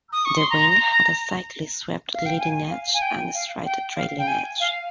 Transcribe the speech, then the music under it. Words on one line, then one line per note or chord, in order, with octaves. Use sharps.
The wing had a slightly swept leading edge and a straight trailing edge.
D#6
C#6
C6
A#5
F5
G5
G#5
F5
G#5
G5
F5
G5
F5
G5
G#5
F5